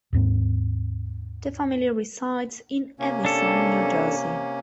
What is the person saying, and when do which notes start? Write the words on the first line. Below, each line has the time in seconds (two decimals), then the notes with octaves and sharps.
The family resides in Edison, New Jersey.
0.13 D#2 G#2 C4
2.99 C3 A#3 C#4
3.25 D4 A4